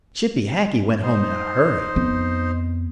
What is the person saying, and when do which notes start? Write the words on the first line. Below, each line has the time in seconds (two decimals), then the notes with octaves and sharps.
Chippy Hackee went home in a hurry!
1.03 D#4 C5
1.96 F2 B3